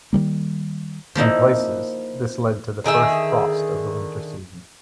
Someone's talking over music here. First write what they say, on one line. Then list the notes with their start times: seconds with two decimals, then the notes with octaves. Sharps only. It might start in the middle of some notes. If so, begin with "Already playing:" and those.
In places, this led to the first frost of the winter season.
0.13 D#3 F#3 G3 A#3
1.15 F3 A#3 D#4 E4
2.84 D3 D#3 G#4 E5